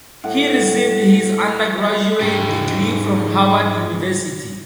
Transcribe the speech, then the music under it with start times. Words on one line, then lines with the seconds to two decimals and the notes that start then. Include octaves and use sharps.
He received his undergraduate degree from Harvard University.
0.24 A2 F#5
2.21 G#2 G4